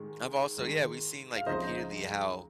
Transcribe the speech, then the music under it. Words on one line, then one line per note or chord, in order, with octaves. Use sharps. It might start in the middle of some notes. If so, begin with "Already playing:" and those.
I've also yeah, we've seen, like, repeatedly how
Already playing: G#2 D#3 G#3
G#2 D#3 G#3
F5
C#2 C#3 F3 C4 D#4 C5 D#5